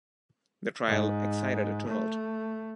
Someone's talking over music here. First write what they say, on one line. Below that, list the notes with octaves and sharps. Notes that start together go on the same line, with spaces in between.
The trial excited a tumult.
G#2
A3